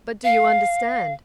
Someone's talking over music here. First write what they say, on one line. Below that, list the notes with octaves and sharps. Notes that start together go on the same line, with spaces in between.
"But do you understand?"
F5